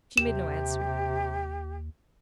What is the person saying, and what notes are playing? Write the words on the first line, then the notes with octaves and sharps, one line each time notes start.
She made no answer.
D#2 C3 G4 E7